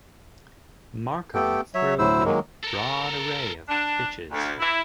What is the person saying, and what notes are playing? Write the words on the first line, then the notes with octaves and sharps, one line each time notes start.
Marcum threw a broad array of pitches.
A3 B3 G4 A4 G5
F#3 C#5 E5
D2 A2 F#3 E4 C5 E6
D#3 F#3 G#3 A#3
A4 A#4
D4
D2
E4